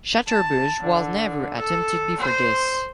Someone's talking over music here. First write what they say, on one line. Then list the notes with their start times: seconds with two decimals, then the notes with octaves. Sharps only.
Chaturbhuj was never attempted before this.
0.27 A5
0.80 D3
1.55 A4
2.18 C5